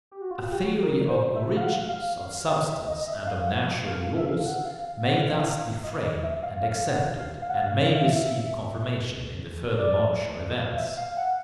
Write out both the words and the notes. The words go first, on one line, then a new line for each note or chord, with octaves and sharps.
A theory of origins, of substance, and of natural laws may thus be framed and accepted, and may receive confirmation in the further march of events.
G4
F#4
F4
G4
F#4
A#4
C5
E5
F5
F#5
F5
F5
E5
D#5
D#5
E5
F5
F#5
F5
E5
F5
F#5
F5
F5
F#5
F5
E5
F5
D#5
D#5
E5
F5
F5
F#5
F5
F5
F#5
F5
F5
F5
E5
D5
F5
E5
F5
F#5